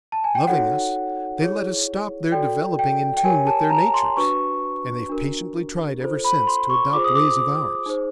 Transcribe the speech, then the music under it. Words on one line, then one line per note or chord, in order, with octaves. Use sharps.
Loving us, they let us stop their developing in tune with their natures; and they've patiently tried ever since to adopt ways of ours.
A5
G#5
G5
D#4 F#4 A4 C#5 F#5
E4 G#4 C#5
F#4 A4 D5 G5
G5
G5
G4 A#4 C#5 G#5
A5
A#5
C6
D4 F#4 B4 C#6
D4 F#4 A#4
F4 A4 C5
B5
C6
C#6
F4 G#4 C5 D6
D#6
D6
D#4 G#4 C5